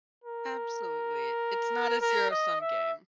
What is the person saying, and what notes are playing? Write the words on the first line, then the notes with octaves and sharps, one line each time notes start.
Absolutely. It's not a zero-sum game.
A#4
A#4
D#5
E5